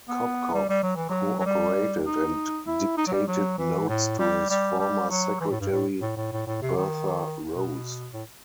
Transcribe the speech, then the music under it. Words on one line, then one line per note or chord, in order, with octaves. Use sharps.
Kopkow cooperated and dictated notes to his former secretary Bertha Rose.
B3
G3
G3
F#3
E3
F#3
F#3
G3
D#4
E4
D#4
F#3
G3
F#3
E3
A2
G3
G3
G3
F#3
E3
A2
G2
A2
A2
A2
A2
A2
C3
D#3
B2
A2